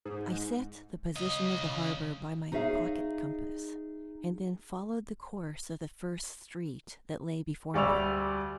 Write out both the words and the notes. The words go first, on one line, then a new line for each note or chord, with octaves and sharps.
I SET the position of the harbor by my pocket-compass, and then followed the course of the first street that lay before me.
G#2
C#3 D#5
D#4 G#4 C#5 E5 F5
D2 G3 D5 C#6 E6 F7